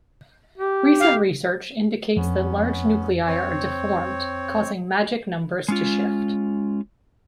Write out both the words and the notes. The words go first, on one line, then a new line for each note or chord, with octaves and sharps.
Recent research indicates that large nuclei are deformed, causing magic numbers to shift.
G4
F5
F2 B3 C#4
C4 C#5
G#3 C#4 F4